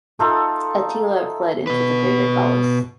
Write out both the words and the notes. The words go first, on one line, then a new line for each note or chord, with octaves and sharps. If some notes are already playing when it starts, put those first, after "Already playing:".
Attila fled into the greater Gauls.
A3 D#4 F4 A4
B2 B4